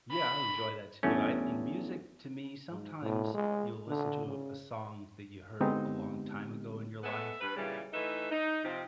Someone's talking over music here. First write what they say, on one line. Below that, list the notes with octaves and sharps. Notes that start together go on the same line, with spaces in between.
Yeah, I enjoy that too. I mean, music to me, sometimes you'll listen to a song that you heard a long time ago in your life,
B5
E2 G2 A3 C#4
G#2
A2
G#3
D3
C#3
D3 G#3 B3 C4 D#4 G4
G#3 A3 B3 A4 E5
G2 B4
A#2 C#3 E3 G3
E3 A3 D#4 B4 E5
D#4
C3 F3 C4 D#4 F4